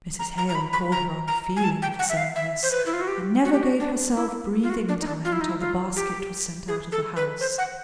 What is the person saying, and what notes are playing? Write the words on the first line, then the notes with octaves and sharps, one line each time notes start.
Mrs. Hale called her unfeeling for saying this; and never gave herself breathing-time till the basket was sent out of the house.
A#5
A#5
A#5
B5
B5
A#5
A#5
G#5
A5
G5
F#5
E5
F5
E5
C5
B4
E4
F4
F#4
G4
F#4
G4
F#4
D4
E4
F4
F#4
D4
D#4
D4
F4
E4
D#4
E4
F4
G4
G#4
A4
B4
C5
F#5